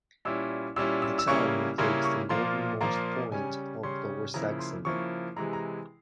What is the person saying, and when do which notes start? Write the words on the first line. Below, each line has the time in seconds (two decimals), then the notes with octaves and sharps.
The town includes the northernmost point of Lower Saxony.
0.25 A#2 G3 C#4 E4 E6
0.76 A#2 G3 C#4 E4 E6
1.02 E6
1.18 E6
1.28 C#3 G3 A#3 C#4 E4 C#6
1.78 C#3 G3 A#3 C#4 E4 C6
2.04 C#6
2.29 A#2 F3 A#3 F4 C6
2.81 A#2 F3 A#3 F4 A#5
3.32 C#3 G3 C#4 G#5
3.83 C#3 G3 C#4 C6
4.34 C#3 F3 A#3 E4 A#5
4.59 C6
4.85 C#3 F3 A#3 E4 C#6
5.36 C3 E3 G#3 E4 A#5
5.53 A#5